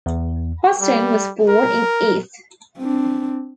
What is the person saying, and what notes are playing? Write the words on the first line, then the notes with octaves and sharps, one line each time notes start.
Hustin was born in Ethe.
E2
G3
A#4
C4 D4